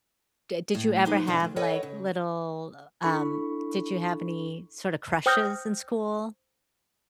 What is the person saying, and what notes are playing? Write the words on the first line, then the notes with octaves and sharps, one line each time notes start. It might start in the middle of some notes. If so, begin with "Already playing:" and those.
D did you ever have, like, little, uh, um did you have any, sort of, crushes in school?
A2
F3 D#4 G4 G#4 B4
F2 B2 D3 E3 C4 D4
D2 G2
A4 B4 C#5 D#5 F#5 G5
C#3
D4 E4 A4 B5 C#6
C5 G5 D#6 F6 G6 A#6